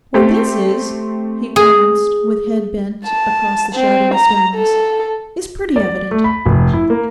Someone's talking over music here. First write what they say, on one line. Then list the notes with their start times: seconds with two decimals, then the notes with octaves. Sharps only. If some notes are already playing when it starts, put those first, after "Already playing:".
What this is'--he glanced, with head bent, across the shadowy stones, 'is pretty evident.
0.14 A3 C4 G4
1.56 G#4
3.06 A5
3.76 C4
4.14 A#5
4.56 A4
5.76 D5
6.11 A3
6.24 B5
6.46 F1
6.73 E4
6.90 A#3